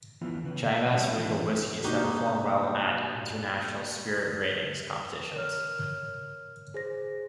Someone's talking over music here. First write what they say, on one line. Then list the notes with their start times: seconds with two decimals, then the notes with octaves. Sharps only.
Chivas Regal whiskies have performed well at international spirit ratings competitions.
0.21 E3 F3 B3 E4 F4
0.43 C#3 B4
0.64 C5 D#5 E5
0.93 G3 C4 D4 C5 C#5 E5
1.14 E3 G3 F4
1.84 C3 A#3 D4 D#4 F#4 G4
5.34 A#4 C#5 F6
6.74 G#4 C5 A#6